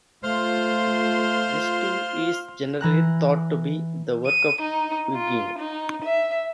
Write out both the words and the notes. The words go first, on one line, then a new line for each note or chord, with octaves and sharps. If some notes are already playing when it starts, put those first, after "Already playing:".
This too is generally thought to be the work of Pugin.
A3 F4 C5 C6 F6
E3 A#5 F#6
D#7
D#4
F4
D#4
E5